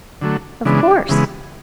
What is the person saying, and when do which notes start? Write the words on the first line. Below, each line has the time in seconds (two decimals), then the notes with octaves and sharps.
Of course.
0.21 D3 F#3 A3
0.65 C#3 E3 G#3 B3 D4
1.09 C#3 E3 G#3 B3